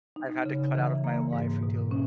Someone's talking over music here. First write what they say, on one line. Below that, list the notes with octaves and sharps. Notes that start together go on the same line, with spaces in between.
I had to cut out of my life who do
D#4
C#3
E3
A#3
G#2
B2
C#4